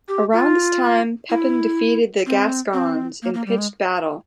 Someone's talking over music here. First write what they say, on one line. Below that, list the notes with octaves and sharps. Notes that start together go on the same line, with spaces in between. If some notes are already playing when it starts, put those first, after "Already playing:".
Around this time, Pepin defeated the Gascons in pitched battle.
G4
F4
E4
C4
C4
A#3
A#3
G3
G#3